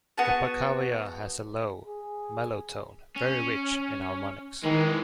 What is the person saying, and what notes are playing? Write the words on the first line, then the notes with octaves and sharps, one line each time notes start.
The pakhavaja has a low, mellow tone, very rich in harmonics.
B3 F#4 G#4 A5
G#4
C#4
D#3 E3 G#3